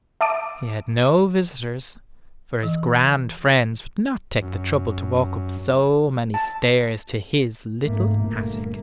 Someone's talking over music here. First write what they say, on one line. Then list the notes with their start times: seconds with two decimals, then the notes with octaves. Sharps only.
He had no visitors, for his grand friends would not take the trouble to walk up so many stairs to his little attic.
0.21 E5 A5 D6 D#6 D7
2.63 E3
4.42 F#2
6.34 A5
7.82 F1 G#2 A3 A#3
8.19 G1 A#2 A3 A#3